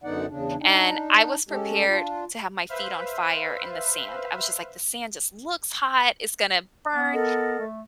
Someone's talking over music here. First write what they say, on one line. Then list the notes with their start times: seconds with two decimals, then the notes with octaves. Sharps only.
and I was prepared to have my feet on fire in the sand. I was just like, "The sand just looks hot, it's gonna burn."
0.04 F#2 D3 B3 D#4 D5 F#5
0.29 E2 C#3 D4
0.58 D4 D#4
1.49 G#3 C#4 G4 A4
1.88 D4 F4
2.69 B4 C5 E5 F5
6.96 B3
7.12 A4 A#4 D#5
7.60 A3